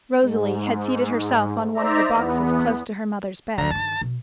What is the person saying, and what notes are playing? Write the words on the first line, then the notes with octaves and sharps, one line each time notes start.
Rosalie had seated herself on one of the boxes close to her mother's bed.
G#2
D#4 C5 D5 E5 A#5
E2 B3
D2 F#3 A#5
G2 D#3 A5
B2